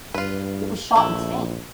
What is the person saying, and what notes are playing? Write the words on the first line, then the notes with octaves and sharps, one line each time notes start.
It was shot in Spain.
G2 F4 B4
A#1 A3 E4